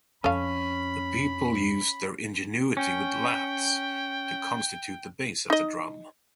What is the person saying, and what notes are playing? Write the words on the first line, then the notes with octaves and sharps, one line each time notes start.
The people used their ingenuity with laths, to constitute the base of the drum.
F2 C#4 A4 F5 B5
C#4 G5
D#4 D#5